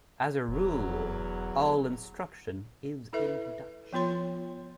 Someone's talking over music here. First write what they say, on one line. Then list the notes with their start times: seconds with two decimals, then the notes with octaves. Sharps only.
As a rule, all instruction is in Dutch.
0.48 E1 E2 F#3
3.13 E4 A4 B4 E5
3.93 F3 B3 F4 C#5 C6